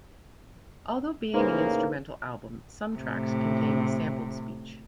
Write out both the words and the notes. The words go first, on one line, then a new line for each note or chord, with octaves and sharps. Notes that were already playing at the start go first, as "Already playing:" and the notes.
Although being an instrumental album, some tracks contain sampled speech.
A2 C#3 A#3 D#4 B4 C5
A2 C3